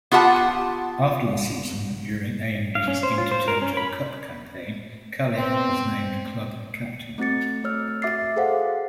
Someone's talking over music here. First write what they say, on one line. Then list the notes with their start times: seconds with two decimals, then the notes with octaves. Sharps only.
After the season, during AaB's Intertoto Cup campaign, Califf was named club captain.
0.12 B3 F4 G4 F#5 A5
2.75 F5
2.88 C#4
3.03 C5
3.18 F4
3.31 C5
3.48 A#4
3.62 C#4
3.77 B5
5.35 B3 C4
7.18 A3 C4 F#4 A6 C#7
7.64 A3 C#5 E6 F6
8.02 F#4 E5 D6 A6 C7
8.36 G#4 A4 C5 F5 F#5